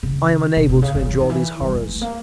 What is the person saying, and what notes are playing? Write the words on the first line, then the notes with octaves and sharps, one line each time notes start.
I am unable to endure these horrors.
C#3
B2
C3
C#3
D3
E3
D#3
E3
G3
G#3
A3
A#3